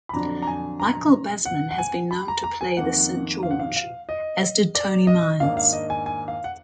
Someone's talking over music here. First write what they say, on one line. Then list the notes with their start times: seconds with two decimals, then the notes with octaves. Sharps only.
Michael Basman has been known to play the Saint George, as did Tony Miles.
0.09 B5
0.13 F2 D3 F#3 D4 A#5
0.42 A#5
0.47 G#5
0.80 A#5
1.46 F#5
1.71 F#5
1.78 G#5
2.11 B5
2.28 A#5
2.44 A#5
2.61 G#5
2.77 F2 D#3 A#3 F#5
3.43 F5
3.51 F#5
3.60 F5
3.76 F5
4.09 D#5
4.75 D5
5.07 D#5
5.40 G#2 D#3 A#3 D4 F5
5.57 F5
5.73 D#5
5.90 G#5
6.06 G#5
6.28 F5
6.44 F#5